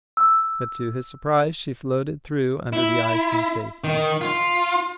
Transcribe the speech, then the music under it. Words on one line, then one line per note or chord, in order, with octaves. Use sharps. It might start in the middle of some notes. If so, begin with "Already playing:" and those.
But to his surprise she floated through under the ice in safety.
E6
E4
D#3
F4